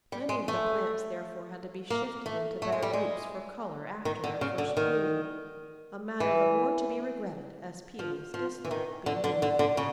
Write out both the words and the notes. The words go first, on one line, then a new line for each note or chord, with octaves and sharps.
Many of the plants therefore had to be shifted into better groups for colour after their first blooming, a matter the more to be regretted as Paeonies dislike being moved.
G3
G#3
A3
A#3
A3
A3
G#3
G3
G#3
D#3
D3
C#3
D3
D#3
E3
F3
F3
E3
D#3
D3
D3
D3
D3
C#3